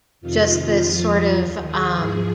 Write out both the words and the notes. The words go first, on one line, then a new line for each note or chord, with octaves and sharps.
just this sort of, um
F2 C3 D#3 F4
F4
F2 F3
D#2 D#3
G#4
G#2 F3